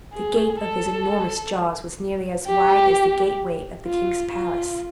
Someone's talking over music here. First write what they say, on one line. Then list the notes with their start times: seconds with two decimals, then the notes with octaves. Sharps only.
The gape of his enormous jaws was nearly as wide as the gateway of the king's palace.
0.13 G#4
0.60 A4
2.47 G4
3.87 F4
4.34 F4